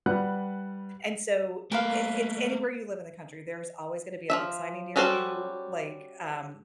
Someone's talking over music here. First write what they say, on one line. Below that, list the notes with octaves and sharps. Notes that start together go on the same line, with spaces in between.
and so, i it's anywhere you live in the country, there's always gonna be a book signing near you, like, um
G3 B4 F#5 F#6
A3 A#3 A#4 B4 F5
F3 F#3 E5
G3 C#4 F#4 A4 C5